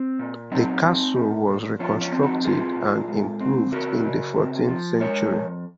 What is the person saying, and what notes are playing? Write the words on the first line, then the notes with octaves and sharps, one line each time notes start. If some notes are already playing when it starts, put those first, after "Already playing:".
The castle was reconstructed and improved in the fourteenth century.
Already playing: C4
A#2
F#3 C4 D#4
C4
A#2
A#2
F3 C#4 F4
C#4 F4
C4
D#4 F#4
A#2 F4 G#4
A#2
G#3
C4
C#3 F#4 A#4
C#3
C3
F3
G#3 A#4 C#5
F2